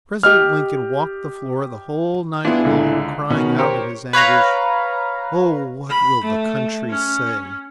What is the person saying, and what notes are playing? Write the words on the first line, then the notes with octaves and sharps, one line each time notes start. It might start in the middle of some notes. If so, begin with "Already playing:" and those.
President Lincoln walked the floor the whole night long, crying out in his anguish, "O what will the country say!"
G4 D#5 F6
B3 D4 E4 F4 G#4
C#2 D3
B2 D#3 C#4
G4 A#4 C5 C#5
B4 C#5 F5 A#5
B5
A3
C#4